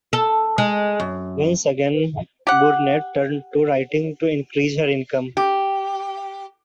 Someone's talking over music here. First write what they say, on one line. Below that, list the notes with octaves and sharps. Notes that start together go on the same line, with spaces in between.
Once again Burnett turned to writing to increase her income.
A4
G#3
F#2
G4 F#5
G4